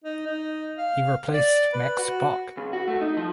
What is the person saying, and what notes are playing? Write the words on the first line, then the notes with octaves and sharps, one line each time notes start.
He replaced Max Bock.
D#4
D#4
F5
D5
B4
F#4
C#2
F#4
A3
D#4
F3